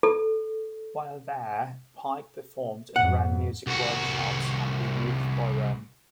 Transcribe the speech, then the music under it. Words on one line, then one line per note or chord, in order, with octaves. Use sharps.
While there, Pyke performed and ran music workshops at the youth forum.
A4
F2 G#2 F#5
C2 F#4